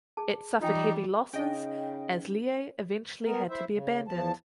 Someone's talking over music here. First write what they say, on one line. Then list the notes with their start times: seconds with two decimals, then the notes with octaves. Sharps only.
It suffered heavy loses as Leie eventually had to be abandoned.
0.17 G#4 A5
0.61 E3 G3 D#4 F4 D#5 G5
1.33 C#3 C#4 D#4 D#5 G5
3.24 B3 A#4
3.50 E4 C5 E5
3.72 C#3
4.08 E2 F3 A5